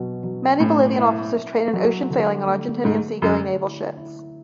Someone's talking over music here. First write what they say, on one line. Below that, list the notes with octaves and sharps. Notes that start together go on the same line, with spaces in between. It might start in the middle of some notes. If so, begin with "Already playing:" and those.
Many Bolivian officers train in ocean sailing on Argentinian seagoing naval ships.
Already playing: B2 F#3
F#3
A2 C#4
E4
E4
F#3
D3
A3
G#2 A3
F#2 D3
E4
E4